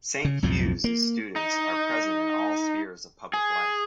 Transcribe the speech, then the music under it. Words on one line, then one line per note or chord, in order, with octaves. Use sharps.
Saint Hugh's students are present in all spheres of public life.
C#3
B1 F2 A2 F3
A#3
D#4
G#4